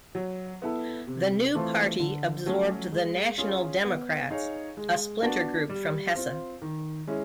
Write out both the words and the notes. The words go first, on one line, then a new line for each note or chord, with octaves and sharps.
The new party absorbed the "National Democrats", a splinter group from Hesse.
F#3
B3 E4 A4
C3
E3 A3 C4 F4
D3
F#3 A3 C#4
G#3
C#4 F4 G#4
B3
D#4 G#4 C#5 F5
G#3
B3 D4 F#4
G3
C4 F4
D#3
G#3 C#4 E4